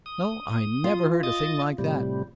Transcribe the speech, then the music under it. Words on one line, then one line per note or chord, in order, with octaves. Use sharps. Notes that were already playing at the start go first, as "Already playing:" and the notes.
"No; I never heard a thing like that!"
D#6
F4
D#5 D#6 A6
A2 C3 G3